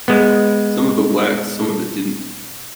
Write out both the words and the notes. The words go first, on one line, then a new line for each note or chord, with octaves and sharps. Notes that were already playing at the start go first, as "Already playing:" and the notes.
Some of it worked and some of it didn't.
G#3 B3